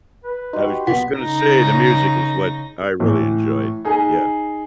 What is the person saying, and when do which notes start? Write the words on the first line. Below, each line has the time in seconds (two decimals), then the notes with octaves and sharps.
I was just gonna say, the music is what I really enjoyed. Yeah.
0.24 B4
0.53 D#4 F#4 G4 C6
0.87 B1 B2 B3 F#5
1.19 C#3 D#4 A#6
3.00 A2 E3
3.85 D#4 G#4